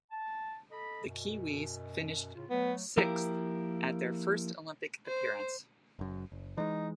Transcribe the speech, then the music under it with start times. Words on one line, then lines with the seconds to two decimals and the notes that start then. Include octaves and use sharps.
The Kiwi's finished sixth at their first Olympic appearance.
0.11 A5
0.71 A4 D#5 B5
1.04 F#2 B2
2.35 A2 C#3 F4
2.50 F#3 A3 B3
2.98 F3 A#3 E4 G4 A#4
5.06 C5
5.99 F#1 F#2
6.32 F#1
6.57 E3 G#3 D#4